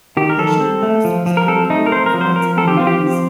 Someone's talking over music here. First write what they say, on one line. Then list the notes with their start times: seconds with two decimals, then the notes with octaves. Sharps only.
A gymnast is hanging upright in rings.
0.17 D#3 G4
0.29 A#4
0.38 D#3 A4
0.60 C4
0.83 A3
1.04 F3
1.26 F3
1.37 A#4
1.48 C4 A4
1.70 A3 D#4
1.86 A#4
1.91 C4 C5
2.06 A#4
2.14 F3
2.21 C5
2.36 F3 A#4
2.57 C4 A4
2.68 G4
2.77 C4 F4
2.87 G4
3.01 F3